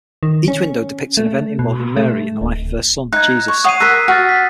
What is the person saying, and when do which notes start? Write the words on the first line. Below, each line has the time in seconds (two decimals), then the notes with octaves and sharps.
Each window depicts an event involving Mary in the life of her son, Jesus.
0.23 D#3
0.48 C#4
1.17 A3
1.59 B2
1.97 A3
2.41 D1
3.13 D#4 F#6 G#6
3.48 C#6
3.64 C#5 F#5 D#6 C7 D#7
3.80 A#4 A#5 E6 F#6 B6
4.08 F#4 F6 A6
4.29 B6